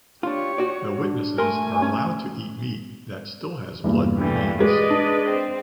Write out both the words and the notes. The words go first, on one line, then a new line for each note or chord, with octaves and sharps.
The witnesses are allowed to eat meat that still has blood remains.
D4 F4 G4 C#5
F#4 D5
D4
A3 A#4 G#5 C6
C#4
E2 G2 A#2
E3 G3 A3
G#3 B4 D5 D#5
D4
C4